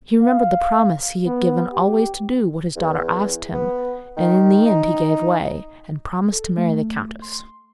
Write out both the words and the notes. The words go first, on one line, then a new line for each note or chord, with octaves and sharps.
He remembered the promise he had given always to do what his daughter asked him and in the end he gave way, and promised to marry the countess.
F5
B3
G4
E2
B3
D#3
D#4
A4
A3
C6